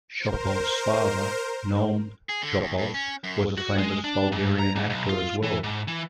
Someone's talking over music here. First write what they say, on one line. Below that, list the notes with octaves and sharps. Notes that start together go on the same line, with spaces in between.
Shopov's father, Naum Shopov, was a famous Bulgarian actor as well.
A#4 C5
G#4
D3
D#2
G2
C#4
F#2
F#4
G#3
D4
G#2
A#5
G#2
B1
F4
E3
G#2
E3